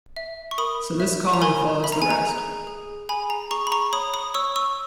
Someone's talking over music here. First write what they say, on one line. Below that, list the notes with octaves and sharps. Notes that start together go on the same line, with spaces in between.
So this calling follows the rest.
E5
C#6
A#4 B5 D#6
E5
A#5
A#4 G#5 B5
E5 B5
A#5
G#5
A#5
G#4
G#4
G#4 G#5 B5
A#5
G#4 A#5 C#6
B5
A#5 C#6
C#5 B5 D#6
B5 D#6
C#5 C#6 E6
C#6 E6